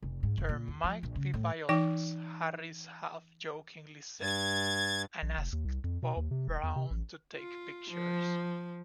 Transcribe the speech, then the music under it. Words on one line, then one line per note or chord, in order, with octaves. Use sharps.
"There might be violence," Harris half-jokingly said, and asked Bob Brown to take pictures.
F1
G#2
F1
A#2
E2
F3
A#1
C#3
A2
E3 D#4 G5
G2 G#6 A6
A#1
F1
D#2
C2
F2
B2
D#2
C3
E1
E2
C3
A1
F4
F3